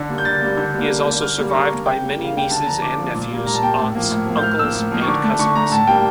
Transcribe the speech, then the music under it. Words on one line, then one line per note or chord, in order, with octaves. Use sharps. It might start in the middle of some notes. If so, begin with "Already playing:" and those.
He is also survived by many nieces and nephews, aunts, uncles and cousins.
Already playing: D3
G3 A#3
G6
D3 A6
G3 A#3
D3 G6
G3 A#3
D3
G3 A#3
D3 F6
G3 A#3
C#6
D3 A#5
G3 A#3
C#3 G5
G3 A#3
C#3
F5
G3 A#3 G5
D3 A5
F3 A#3 A#5
D3 D6
F3 A#3
A#2
G3 A#3
A#2 A#5
A5
G3 A#3 G5
A2
F3 A#3
A2
F3 A#3
G6
A2 F6
F3 A#3 E6
A2
F3 A#3
C#6
D3 D6
A3
D3 C#6
A3 A#5
A2 A5
G3 A#3 G5